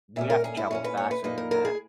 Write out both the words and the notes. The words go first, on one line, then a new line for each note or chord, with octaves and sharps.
We have to travel faster than that.
A#2 G#3 C#4 E5
A#4
G#4
E4
A#2 G#3 C#4 C#5
B4
C#5
B4
A#2 A#3 D#4 B4
A#4
A#4
G#4